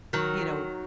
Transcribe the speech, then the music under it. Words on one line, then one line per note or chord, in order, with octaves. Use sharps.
you know,
D#3 F#3